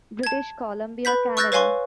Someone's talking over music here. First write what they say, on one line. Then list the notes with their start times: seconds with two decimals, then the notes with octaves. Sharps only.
British Columbia, Canada.
0.23 A5 G#6
1.05 B4 B5 G6 B6
1.37 C#6 E6 F#6 G6 A6 A#6
1.52 B4 C#5 F5 G#5 C6 C#6